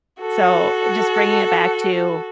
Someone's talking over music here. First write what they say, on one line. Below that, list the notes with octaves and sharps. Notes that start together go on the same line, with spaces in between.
so, just bringing it back to
F#4 A4